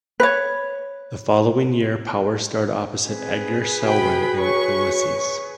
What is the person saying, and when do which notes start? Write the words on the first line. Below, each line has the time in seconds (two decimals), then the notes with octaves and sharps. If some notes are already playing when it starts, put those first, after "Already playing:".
The following year Power starred opposite Edgar Selwyn in "Ulysses".
0.20 B4 C#5
3.07 C4 G#4 B4
3.83 C3 F#4 G5 B5
4.39 C#5 C#6